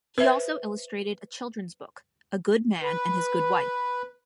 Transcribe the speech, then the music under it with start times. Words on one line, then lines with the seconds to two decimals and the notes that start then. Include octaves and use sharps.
He also illustrated a children's book "A Good Man and His Good Wife".
0.18 B4 C5 E5
2.83 B4